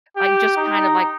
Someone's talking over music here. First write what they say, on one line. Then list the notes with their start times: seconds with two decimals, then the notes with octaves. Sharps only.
Like, just kind of, like
0.17 G4
0.57 D#4